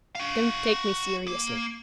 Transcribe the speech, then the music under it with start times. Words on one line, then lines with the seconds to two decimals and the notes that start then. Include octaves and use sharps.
Don't take me seriously.
0.15 F#4 F5
1.28 A#3